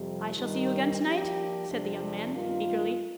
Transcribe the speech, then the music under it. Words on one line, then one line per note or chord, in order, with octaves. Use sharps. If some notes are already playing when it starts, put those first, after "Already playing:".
'I shall see you again to-night?' said the young man, eagerly.
Already playing: F2 C3 G3
G2 D#3 G3
F3 A#3 D4 G4
F2 C3 G3 D4
G2 D#3 A#3 F4